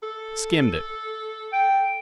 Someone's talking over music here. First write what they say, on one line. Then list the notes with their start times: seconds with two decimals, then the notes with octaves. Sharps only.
Skimmed it.'
0.03 A4
1.53 G5